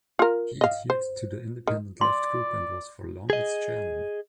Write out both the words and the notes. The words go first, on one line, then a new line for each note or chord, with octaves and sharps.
He adhered to the Independent Left group, and was for long its chairman.
F4 A#4
D#5 F5
C5
D#3
D5 C6
G#4 D#5